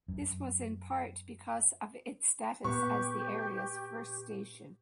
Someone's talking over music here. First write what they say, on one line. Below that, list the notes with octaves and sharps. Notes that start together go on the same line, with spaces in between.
This was in part because of its status as the area's first station.
F#2
A#2 B3 G4 C#6